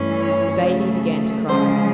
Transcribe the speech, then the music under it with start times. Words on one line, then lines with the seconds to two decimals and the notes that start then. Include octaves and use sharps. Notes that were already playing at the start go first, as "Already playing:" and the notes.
The baby began to cry.
Already playing: G2 E3 A3 C#4
0.19 C#5
0.62 C#3 F#3 A3
1.48 C#3 F3 G#3 C#4 C5